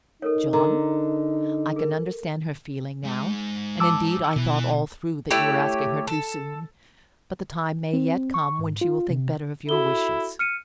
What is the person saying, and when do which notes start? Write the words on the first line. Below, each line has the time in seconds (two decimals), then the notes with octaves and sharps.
"And, John;--I can understand her feeling now; and indeed, I thought all through that you were asking her too soon; but the time may yet come when she will think better of your wishes."
0.22 D#4 A4 A#4 C#5
0.53 D3 A#4 D#5 A#5
1.76 G#4 A#4 B4
3.04 G#2 G#3
3.80 A5 D6 E6
4.36 B2 E3
5.30 A3 E4 G4 C#5
6.07 A4
7.93 C4
8.34 C#6
8.59 G#2
8.81 F4
9.10 C3
9.69 E4 F#4 A4 G7
10.39 F6 C#7 D#7